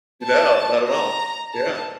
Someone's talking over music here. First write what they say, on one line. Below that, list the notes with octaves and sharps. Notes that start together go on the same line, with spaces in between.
No. Not at all. Yeah.
A5
A#5
A5